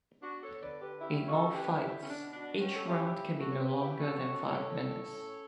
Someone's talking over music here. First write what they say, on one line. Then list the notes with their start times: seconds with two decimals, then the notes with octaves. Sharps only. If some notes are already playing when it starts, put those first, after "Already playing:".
In all fights, each round can be no longer than five minutes.
0.22 B3 D4 F#4
0.41 A4 C#5
0.61 D3 B4 D5
0.81 G4 B4
1.01 C#4 E4 G4
1.27 F#4 A4
1.41 D3
1.54 G4 B4
1.80 B3 E4 G4
2.02 C#4
2.07 D4
2.20 B2
2.33 D4 F#4
2.59 C#4 G4
2.74 A4
2.88 E4 G4
3.00 C#3
3.39 B3 F#4 A4
3.49 C#5
3.59 G4 B4
3.78 C#3 E4 G4
3.99 F#4 A4
4.18 C#4 F#4 A4
4.45 A4 C#5
4.58 A2
4.71 A4 C#5
4.98 C#4